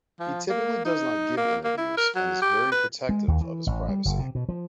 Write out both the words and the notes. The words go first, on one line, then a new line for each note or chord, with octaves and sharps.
He typically does not give interviews and is very protective of his privacy.
F3
A#3
D#4
A#3
A#3
E4
A#4
F#3
G4
B4
G#3
D#2
E3
A1
G3
F#1
C3
B2
F3